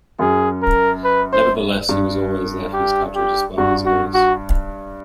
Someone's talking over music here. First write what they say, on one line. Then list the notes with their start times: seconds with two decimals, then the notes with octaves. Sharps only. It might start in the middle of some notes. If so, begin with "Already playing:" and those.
Nevertheless, he was always there for his country despite his illness.
0.19 F#2 G#4
0.62 A#4
1.04 B4
1.33 C5
1.89 G2
2.73 G4
3.15 G4
3.57 G2 F#4
3.86 F#4
4.14 F#4